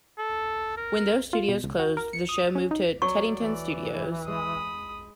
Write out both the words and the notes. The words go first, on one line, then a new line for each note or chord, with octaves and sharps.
When those studios closed the show moved to Teddington Studios.
A4
A#4
F4
B2
C#2
F#4
A#4
C#7
D#6
C#4
D#4
F#3 D5 C#6
E3
G#3 B5 D#6